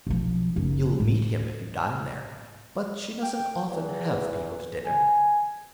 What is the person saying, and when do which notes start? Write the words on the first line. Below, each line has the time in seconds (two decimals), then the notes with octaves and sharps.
You'll meet him if you dine there. But she doesn't often have people to dinner.
0.07 B1 F3
0.56 F#1 D#4
1.00 A2
3.23 G5
3.68 E2
4.85 G#5